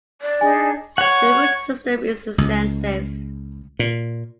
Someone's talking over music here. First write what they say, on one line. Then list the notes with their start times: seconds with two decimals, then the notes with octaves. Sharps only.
The root system is extensive.
0.22 D5
0.41 D4 D#4 G#4 G#5
0.98 C#5 F#5 C#6
2.38 C#2
3.79 A#2